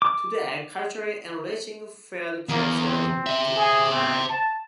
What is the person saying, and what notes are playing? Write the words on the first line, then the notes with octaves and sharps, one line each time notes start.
Today, culturally enriching field trips are in decline.
D6
E2 A#3
C4
C5 E5
G#4
C4
A5